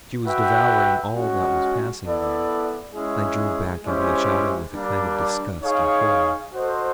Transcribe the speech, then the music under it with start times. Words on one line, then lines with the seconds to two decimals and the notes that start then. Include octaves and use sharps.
She was devouring all that was passing there. I drew back into the shadow with a kind of disgust and horror.
0.25 F#4 B4 E5 G5
1.14 G#3 C#4 F#4
2.04 B3 E4 A4 D5
2.94 G#3 C#4 E4 G#4
3.83 G#3 C#4 E4 G4 C5
4.73 G3 A#3 D4
5.63 D#4 G#4 C#5 F5
6.53 F#4 A4 C5 D#5